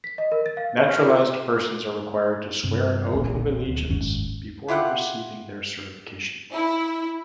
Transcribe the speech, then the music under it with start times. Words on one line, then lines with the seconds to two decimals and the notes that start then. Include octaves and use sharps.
Naturalised persons are required to swear an oath of allegiance before receiving their certification.
0.04 B6
0.18 D#5
0.32 A#4
0.46 A6
0.57 F5
0.77 G4
0.89 F6
1.03 F4
2.64 G2 C3
3.12 E1 B1 A#2
3.66 D1
3.88 F#1 D#2 G#2 C#4
4.68 E4 F4 G4 F#5
6.52 E4